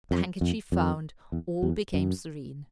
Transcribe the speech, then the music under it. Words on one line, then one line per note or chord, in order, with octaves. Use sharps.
The handkerchief found, all became serene.
F2
F2
F2
E2
E2
F#2